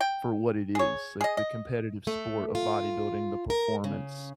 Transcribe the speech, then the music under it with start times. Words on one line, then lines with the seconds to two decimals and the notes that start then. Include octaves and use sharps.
for what it is, like, the competitive sport of bodybuilding, the performance.
0.01 G5
0.75 G#4 C#5
1.21 G#4 D#5
1.37 D#5
2.07 A3
2.55 F4
3.50 A#4
3.84 C#3